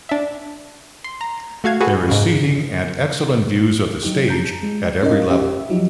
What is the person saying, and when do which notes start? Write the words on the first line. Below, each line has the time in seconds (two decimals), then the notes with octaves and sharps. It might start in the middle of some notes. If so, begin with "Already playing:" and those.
There is seating and excellent views of the Stage at every level.
0.09 D4 E5
1.04 C6
1.21 A#5
1.64 A3 F#4 F5 G#6
1.80 F#4 G#4 A4 B4
2.08 G#2 C#3
4.03 F#3 D#4 G4
4.28 A5 A#5 G6
4.63 G#3
5.02 C#4 D#4 A#4 D#5 F5
5.30 C#4 G4 E5
5.70 F3 F#3 D#4 F4